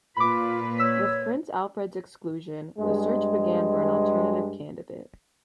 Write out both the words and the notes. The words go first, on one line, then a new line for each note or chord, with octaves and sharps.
With Prince Alfred's exclusion, the search began for an alternative candidate.
A#2 F4 B4 B5 D6
C#5 E6 B6
G2 G#3